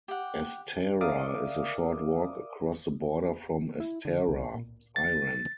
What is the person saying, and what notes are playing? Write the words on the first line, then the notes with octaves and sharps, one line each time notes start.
Astara is a short walk across the border from Astara, Iran.
G4 F#5
A#4 D5 E5 F5 D6 D#6
E4
D3
C2
A#2
A6